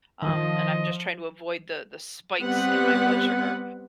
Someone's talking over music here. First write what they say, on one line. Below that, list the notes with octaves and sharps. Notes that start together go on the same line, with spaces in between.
um, and I'm just trying to avoid the the spikes in my blood sugar.
D#3 F3 D#5
G3 B3 C4 B4 F#5